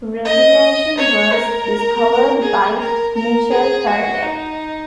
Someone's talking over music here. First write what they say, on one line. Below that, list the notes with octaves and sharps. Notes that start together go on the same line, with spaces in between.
Regelation was discovered by Michael Faraday.
D#5
C#5
A#4
G#4
A#4
A#4
G#4
F#4
D#4